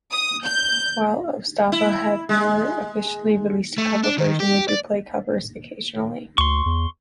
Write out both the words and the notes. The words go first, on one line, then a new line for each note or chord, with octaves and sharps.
While Ostava have never officially released a cover version, they do play covers occasionally.
D#6
G6
E4
G#3
A3
D4
D#3
G4
D5
D2 C6 C#6
E2